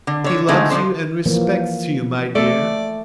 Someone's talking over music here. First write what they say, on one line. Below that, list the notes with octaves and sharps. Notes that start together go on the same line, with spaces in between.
He loves you and respects you, my dear.
D3
D3 C#5
D3 G#3 A3 D#4
D3 F3 D4 C5
E3 F3 A#3
A3 A4 D5